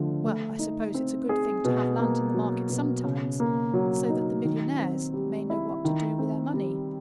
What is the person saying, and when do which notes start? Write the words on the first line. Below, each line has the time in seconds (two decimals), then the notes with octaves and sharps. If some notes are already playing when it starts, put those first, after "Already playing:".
"Well, I suppose it's a good thing to have land in the market sometimes, so that the millionnaires may know what to do with their money."
Already playing: D3 F3 A3
0.24 A3
0.59 D#4
0.94 C4
1.29 G#4
1.65 B2
1.99 A#3
2.34 F#3
2.70 B2
3.04 C#3
3.40 A#3
3.74 F#3
4.09 D#4
4.45 D#3
4.79 C4
5.14 G3
5.50 E4
5.85 D#3
6.19 C4
6.54 G3